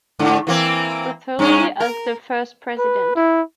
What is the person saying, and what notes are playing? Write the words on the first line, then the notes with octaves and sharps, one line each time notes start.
Luthuli as the first President.
G#2 D3
E3 A#3 C4
G2 C#4
A#4
B4
E4